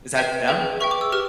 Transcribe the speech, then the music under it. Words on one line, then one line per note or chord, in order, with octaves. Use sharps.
is that them?
B4 E5 G5
G#4 B4 E5 G5
G#4 B4 E5 G5 C#6
D6
E6
G4 B4 F6